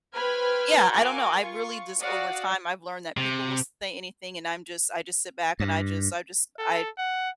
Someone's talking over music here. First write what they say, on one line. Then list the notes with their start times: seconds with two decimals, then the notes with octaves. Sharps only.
yeah, I don't know, I really just over time, I've learned that people will say anything, and I'm just I just sit back, and I just I just I
0.13 B4 C5 G5 B5 F6 G#6
0.91 F#4 A#4 F5 G#5 D6
1.41 F4 C#6
2.00 F#4 D5 F5 F#5 D#6
3.17 C3
5.60 G2
6.58 A4
6.98 F#5